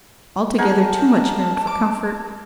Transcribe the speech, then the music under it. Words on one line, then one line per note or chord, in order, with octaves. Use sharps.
Altogether too much married for comfort.
D#4 G#4 A#4 F#5 A5
D6